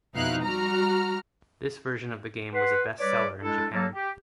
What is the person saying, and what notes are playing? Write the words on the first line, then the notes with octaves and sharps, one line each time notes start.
This version of the game was a bestseller in Japan.
F2 B2 D#4 E4 F5 F#6
G3 F#4 A#5 F6
B4 F#5 C6
G3 B4 C#5 D5
G#3 D4 E4 A4
F#3 A#3 A4
G4